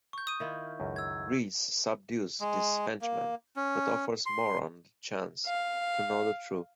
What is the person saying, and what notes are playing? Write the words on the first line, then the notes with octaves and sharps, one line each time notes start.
Reese subdues his henchmen but offers Moran the chance to know the truth.
C#6 G6
D#6 D#7
D#3 E4 F4
C#2 F#2
E6 G#6
G#3
A#3
C#4
C6
F5